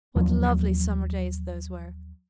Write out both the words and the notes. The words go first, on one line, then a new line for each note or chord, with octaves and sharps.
What lovely summer-days those were!
D#2 F3 F#3